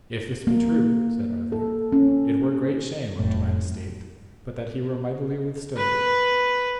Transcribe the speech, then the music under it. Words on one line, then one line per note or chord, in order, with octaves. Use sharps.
If this be true, said Arthur, it were great shame unto mine estate but that he were mightily withstood.
A#3
A4
C#4
F1 A2
B4